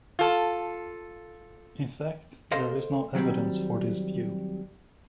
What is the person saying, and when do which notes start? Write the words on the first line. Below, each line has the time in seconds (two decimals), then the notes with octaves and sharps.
In fact, there is no evidence for this view.
0.19 F4 A4
2.52 A4 A#4 C5 D#5 F5
3.15 D#3 F#3 G3 C4